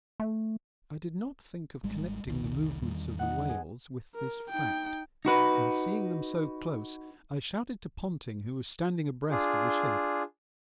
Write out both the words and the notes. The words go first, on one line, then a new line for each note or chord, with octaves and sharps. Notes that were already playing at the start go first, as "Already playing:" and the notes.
I did not think of connecting the movements of the whales with this fact, and seeing them so close I shouted to Ponting, who was standing abreast of the ship.
A3
G#1 G3 G#3
F1 C2 D#3
E2 D#3 G3
D#4 F#5
G#4
A#4
D#4 G5
D#4 F#4 B4
D4 F4 G#4